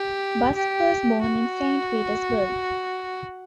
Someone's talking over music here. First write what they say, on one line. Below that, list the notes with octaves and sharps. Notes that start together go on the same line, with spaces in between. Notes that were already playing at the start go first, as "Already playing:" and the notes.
Busk was born in Saint Petersburg.
Already playing: G4
G4
F#4